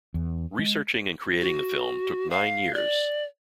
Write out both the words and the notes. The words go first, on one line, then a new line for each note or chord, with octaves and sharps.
Researching and creating the film took nine years.
E2
G#3
F#4
F5
D5